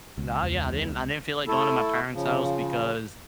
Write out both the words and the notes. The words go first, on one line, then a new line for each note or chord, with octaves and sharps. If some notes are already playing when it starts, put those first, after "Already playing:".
Nah, yeah, I didn't I didn't feel like going to my parents' house, because,
C#2
E2
A3 E4 A4
C#3 F3